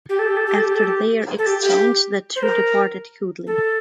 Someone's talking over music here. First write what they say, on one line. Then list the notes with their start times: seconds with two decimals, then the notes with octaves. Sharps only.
After their exchange, the two departed coolly.
0.09 G4
0.19 A4
0.27 G4
0.37 A4
0.47 G4
0.56 A4
0.65 G4
0.75 A4
0.83 G4
1.38 A4
1.46 G4
1.62 G4
2.36 C5
2.43 A#4
3.47 A4